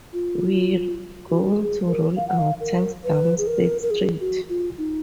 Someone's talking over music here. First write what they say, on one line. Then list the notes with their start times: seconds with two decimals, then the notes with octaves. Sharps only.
We're going to roll our tanks down State Street.
0.13 F4
1.30 F#4
1.58 G#4
1.87 A#4
2.16 F5
2.28 F#5
2.38 F5
2.60 A#4
3.04 B4
3.38 G#4
3.47 A#4
3.83 A#4
3.91 G#4
4.20 F#4
4.49 F4
4.78 D#4